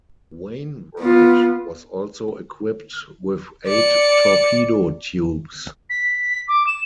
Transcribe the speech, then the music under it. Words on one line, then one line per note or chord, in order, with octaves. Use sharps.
"Wainwright" was also equipped with eight torpedo tubes.
B3 F4
D5 C#7
B6
D6
E7